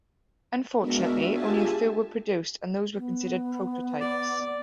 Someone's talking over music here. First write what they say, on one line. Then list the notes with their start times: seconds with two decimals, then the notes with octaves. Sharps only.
Unfortunately, only a few were produced and those were considered "prototypes".
0.79 G#3 B3 D4 F#4 A#4 E5
1.29 F4 G4 G#4 E5 G#5 A5
2.97 B3
4.00 D5